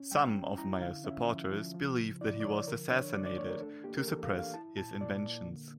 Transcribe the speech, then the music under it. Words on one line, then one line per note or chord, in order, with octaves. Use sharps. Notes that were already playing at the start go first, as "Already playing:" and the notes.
Some of Meyer's supporters believe that he was assassinated to suppress his inventions.
Already playing: C#4
G3 G5
C#4
E4 A#5
D3 F5
C#4 E5
F3
F3
F3
C#3
E4 D5
D5
F3 C#5
D3 A#4
D4 C#5
D4 D5
D5
A3 C#5
A#4
D4 A4
A#3 G4
A#4
E3 A4
F5
D4
F5
E4 A5
A#2 A5
A#2 D5
A#3
D3